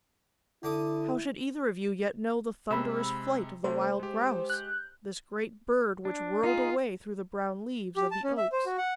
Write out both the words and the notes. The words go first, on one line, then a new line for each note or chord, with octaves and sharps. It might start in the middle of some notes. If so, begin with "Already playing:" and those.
How should either of you yet know the thunderous flight of the wild grouse, this great bird which whirled away through the brown leaves of the oaks?
D3 E4 D6 D#6
C3 G#3 B5 E6
C3 A3 C5
G#3 G4
F#6 G6
D4
D#4 F4 G#4
G4
A5
C#4
E5
C5
F#4
F#5